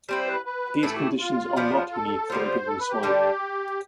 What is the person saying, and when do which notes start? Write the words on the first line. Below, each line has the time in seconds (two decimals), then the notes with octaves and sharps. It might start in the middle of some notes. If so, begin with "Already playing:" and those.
These conditions are not unique for a given soil.
0.09 G3 C4 E4 C5
0.27 B4
0.45 B4
0.82 A2 E3 A3 E4 A4
0.95 G4
1.19 F4
1.56 F3 B3 D4
1.92 A4
2.30 D3 G3 B3 F4 C5
2.67 A4
2.79 B4
2.91 G4
3.03 D3 G3 D4